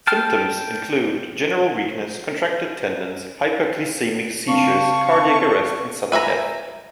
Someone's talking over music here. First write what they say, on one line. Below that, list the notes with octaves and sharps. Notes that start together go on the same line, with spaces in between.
Symptoms include general weakness, contracted tendons, hypoglycemic seizures, cardiac arrest, and sudden death.
G5 A5 F6
C#3 C4 D4 F5 A5 C#6
B4 E5 G#5 A#5